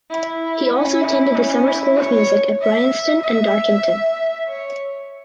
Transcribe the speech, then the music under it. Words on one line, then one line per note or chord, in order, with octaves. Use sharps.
He also attended the Summer School of Music at Bryanston and Dartington.
E4
C#4
E4
C#4
E4
C#5
E5
E5
C#5